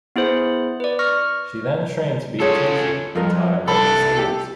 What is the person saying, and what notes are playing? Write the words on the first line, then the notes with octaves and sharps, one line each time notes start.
She then trained to be a teacher, and taught at local schools.
B3 E4 G#4 C5
B4 D5
C#6 F6 A#6
C#4 F4 G#4 A4 C#5
F2 F4 A#4
C2 D4 A4 B5
G4